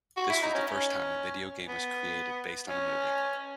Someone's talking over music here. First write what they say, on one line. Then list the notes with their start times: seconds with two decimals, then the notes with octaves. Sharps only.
This was the first time a video game was created based on a movie.
0.17 F#4
0.30 E4
0.43 D#4
0.54 C#4
0.67 C#4
1.68 B3
2.69 C#4